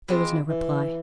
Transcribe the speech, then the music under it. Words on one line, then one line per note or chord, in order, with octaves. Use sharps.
There was no reply.
E3 G#3 C4 F4
E3